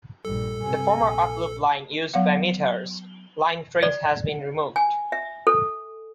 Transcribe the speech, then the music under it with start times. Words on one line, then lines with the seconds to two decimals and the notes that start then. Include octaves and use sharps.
The former up loop line used by Midhurst line trains has been removed.
0.25 A#1 G2 A4
0.61 G2 C3 G#5
0.97 A#1
2.14 F#3 B3 F5 F#5
3.83 D5
4.76 G#5
5.12 E5
5.47 A4